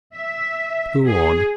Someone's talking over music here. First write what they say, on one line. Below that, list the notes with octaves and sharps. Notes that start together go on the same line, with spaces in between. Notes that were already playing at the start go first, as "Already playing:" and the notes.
Go on.
E5
G#4